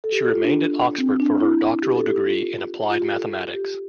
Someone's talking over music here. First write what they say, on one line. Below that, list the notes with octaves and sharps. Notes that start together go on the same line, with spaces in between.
She remained at Oxford for her doctoral degree in applied mathematics.
A4
G4
A4
F4
D4
C4
D4
E4
G4
A4
G4
F4
F4
G4
A4
G4